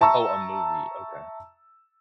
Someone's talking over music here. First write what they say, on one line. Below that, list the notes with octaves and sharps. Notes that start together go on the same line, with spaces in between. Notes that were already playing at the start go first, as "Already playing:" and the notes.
Oh, a movie, okay.
E5 A5 A#5 C#6 E6